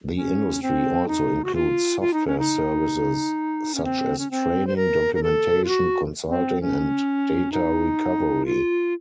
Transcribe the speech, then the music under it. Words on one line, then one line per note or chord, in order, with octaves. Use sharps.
The industry also includes software services, such as training, documentation, consulting and data recovery.
C#4
C4
D#4
F#4
F4
F4
D#4
C#4
D#4
C#4
C4
C#4
C4
C5
A#4
A#4
A4
F4
F#4
C4
C#4
D#4
F4